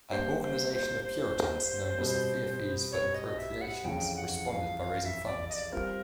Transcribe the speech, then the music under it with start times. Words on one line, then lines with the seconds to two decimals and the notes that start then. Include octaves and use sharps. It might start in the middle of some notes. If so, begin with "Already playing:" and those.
An organization of Puritans known as the Feoffees for Impropriations responded by raising funds.
0.10 G3 A#3 D4 C5
0.42 C5
0.74 C5
1.04 C5
1.98 B2 G3 C4
2.92 C#5
3.14 D#5
3.38 E5
3.61 F#5
3.84 F2 C#3 E3 G5
4.16 F#5
4.47 F5
4.79 F5
5.02 F5
5.05 E5
5.26 D5
5.49 D#5
5.54 D5
5.72 G3 C4 F4 A#4